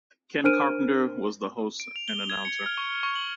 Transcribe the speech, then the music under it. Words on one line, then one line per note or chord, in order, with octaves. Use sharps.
Ken Carpenter was the host and announcer.
D4 A#4 C5 F6 D7 D#7
D7
F7
G7
G#6
C#7
F6
C#6
C#6
F#7